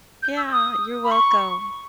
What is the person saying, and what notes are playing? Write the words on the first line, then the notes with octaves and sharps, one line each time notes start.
Yeah, you're welcome.
G6
E6
D#6
B5
C#6